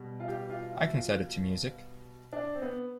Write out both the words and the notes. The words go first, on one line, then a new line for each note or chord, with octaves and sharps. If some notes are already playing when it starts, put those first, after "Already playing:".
I can set it to music.
Already playing: B2 G3
F4
G4
G4
F4
E4
F4
D4
C4
B3